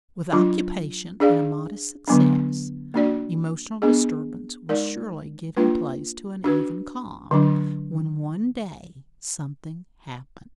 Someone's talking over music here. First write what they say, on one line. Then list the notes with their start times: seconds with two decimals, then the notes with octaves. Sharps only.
With occupation and a modest success, emotional disturbance was surely giving place to an even calm, when, one day, something happened.
0.32 F#3 D4 F4
1.20 D4 G#4 D5 F5
2.08 D3 F#3 B3 D4
2.94 A#3 D4 F#4 D5
3.82 B3 D4 G#4 D#5
4.69 G#3 D#4 A#4 D5
5.57 A#3 D4 F4 B4
6.44 D4 F#4 B4
7.31 D3 F#3 D4